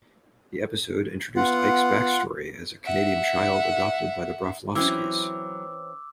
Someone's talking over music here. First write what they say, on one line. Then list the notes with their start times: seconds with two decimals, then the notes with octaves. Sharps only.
The episode introduced Ike's backstory as a Canadian child adopted by the Broflovskis.
1.36 B3 F4 F#5
2.85 E5 F#5
4.75 E3 F#3 C4 C#4 E4 D6 E6